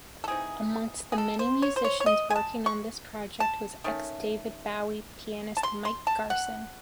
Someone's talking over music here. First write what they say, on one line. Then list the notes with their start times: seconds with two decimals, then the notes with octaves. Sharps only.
Amongst the many musicians working on this project was ex-David Bowie pianist Mike Garson.
0.24 A4
0.28 E3 C4 D#4 G#4
1.12 G#4
1.18 A4
1.39 C5
1.62 C#5
1.76 C5
1.84 C#5
2.00 C#5
2.06 D#5
2.30 G#5
2.36 A5
2.66 C#6
3.40 A5
3.84 D#3 A3 C#4
5.57 A5
5.63 C6
5.85 C6
6.07 A5
6.30 F#5